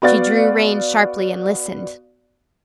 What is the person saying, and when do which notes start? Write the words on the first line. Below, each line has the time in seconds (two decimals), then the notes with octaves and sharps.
She drew rein sharply and listened.
0.02 B3 F#4 D5 F5 A6